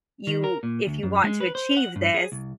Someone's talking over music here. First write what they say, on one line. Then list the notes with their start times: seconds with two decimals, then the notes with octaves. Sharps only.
you if you want to achieve this,
0.27 D#3
0.44 A#4
0.63 A#2
0.87 D2
1.03 F#2
1.24 G#3
1.41 B4
1.55 C5
1.77 F#5
1.96 G2
2.14 G#4
2.32 C2